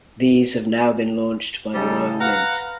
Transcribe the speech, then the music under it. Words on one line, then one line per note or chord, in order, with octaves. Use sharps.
These have now been launched by the Royal Mint.
C#3 G3 D#4 A4
B4 F5 F#5 A#5